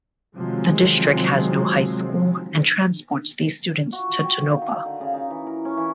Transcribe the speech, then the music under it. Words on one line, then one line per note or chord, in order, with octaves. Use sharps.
The district has no high school and transports these students to Tonopah.
C3 D#3 F3 F#3 G#3 C4
F#4
G5
F5
D#3
D3
C#3
D#4
E3
A#4
C#4
E3